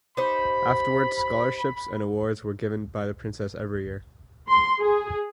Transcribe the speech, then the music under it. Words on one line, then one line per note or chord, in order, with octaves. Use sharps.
Afterwards scholarships and awards were given by the Princess every year.
D#4 G4 C5 B5
C6
G#4